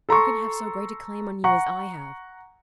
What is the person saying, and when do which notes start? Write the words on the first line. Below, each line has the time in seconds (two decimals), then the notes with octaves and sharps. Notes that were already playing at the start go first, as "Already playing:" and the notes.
Who can have so great a claim on you as I have?
0.09 A4 A#5 C6 C#6
1.44 F#5 A#5 C#6